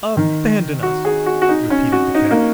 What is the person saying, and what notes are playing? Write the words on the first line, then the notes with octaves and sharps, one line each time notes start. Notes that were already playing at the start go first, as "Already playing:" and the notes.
"Abandon us," repeated the Cat.
D#3
F#4
G#4
F#4
F#4
D#4
C#4
F#4
D#4
A#3